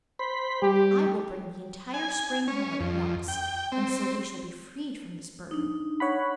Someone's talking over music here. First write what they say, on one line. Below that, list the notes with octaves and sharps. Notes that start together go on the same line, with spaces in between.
I will bring the entire spring home at once, and so we shall be freed from this burden.'
C5 B5
G3 G4
G#5
C#4
F2
G5
C4
D4 D#4
C#5 F#5 B5